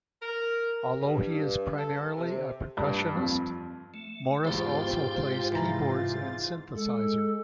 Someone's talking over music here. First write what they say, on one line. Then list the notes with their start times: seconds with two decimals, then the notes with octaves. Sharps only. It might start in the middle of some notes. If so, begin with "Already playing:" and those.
Although he is primarily a percussionist, Morris also plays keyboards and synthesizer.
0.22 A#4
1.01 G2
1.77 A4
2.15 C3
2.77 G2
3.15 F2
3.94 A3
4.45 E2 G#2 F4 G4 C5 G5 A6
5.52 G2 C3 E3 A#5
6.74 G#3 A4